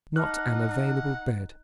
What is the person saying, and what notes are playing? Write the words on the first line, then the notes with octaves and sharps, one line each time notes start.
Not an available bed.
D#4 F#5 A5 D6 F6 F#6